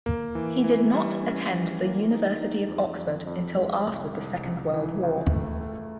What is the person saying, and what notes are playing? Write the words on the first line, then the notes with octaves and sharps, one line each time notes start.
He did not attend the University of Oxford until after the Second World War.
A#3
E3
E3
G3
C#4
E3
A#3
D#4
D#4
F2
F2
F2
G#3
C2
C2
C#2
E3
C#2
A3
A3